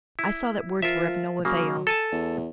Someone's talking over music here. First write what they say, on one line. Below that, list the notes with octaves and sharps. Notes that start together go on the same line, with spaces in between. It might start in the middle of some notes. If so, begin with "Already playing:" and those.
I saw that words were of no avail.
E4
F3 F4 A#4 E5
C#3 F#3 A#3
A4 G#5 A5
E2